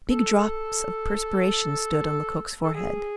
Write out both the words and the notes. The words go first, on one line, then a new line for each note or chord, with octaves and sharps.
Big drops of perspiration stood on Lecoq's forehead.
A4
A4
G#4